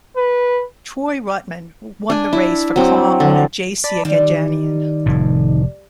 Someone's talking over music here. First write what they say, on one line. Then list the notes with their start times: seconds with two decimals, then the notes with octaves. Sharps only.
Troy Ruttman won the race for car owner J. C. Agajanian.
0.17 B4
2.10 D4 G#5
2.33 E4
2.76 F#3 C4
3.20 D3
3.84 D5 A5 B5
4.05 D#3 G3
5.06 F1 A2